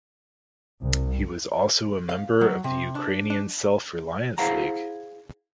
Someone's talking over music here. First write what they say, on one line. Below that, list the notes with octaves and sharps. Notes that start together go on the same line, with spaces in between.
He was also a member of the Ukrainian Self Reliance League.
C2
F5
F#3
C3
D4
D4
E4 G#4 C5 F5 F#5 A#5